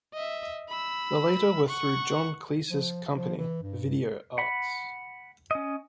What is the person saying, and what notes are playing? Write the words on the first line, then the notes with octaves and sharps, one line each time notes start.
The latter were through John Cleese's company Video Arts.
D#5 E5
B5 E6
F#5 C#6
F3
F3
E3
G2
F#5 B5
C#4 D#5